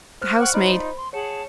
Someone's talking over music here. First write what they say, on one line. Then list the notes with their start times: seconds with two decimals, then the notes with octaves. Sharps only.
The housemaid.
0.22 C5 F6 F#6
0.39 F#5 G5 C#6
0.54 D#4 F4 C5 D5 B5
0.96 C6
1.13 G#4 C#5 F#5 A5 C#7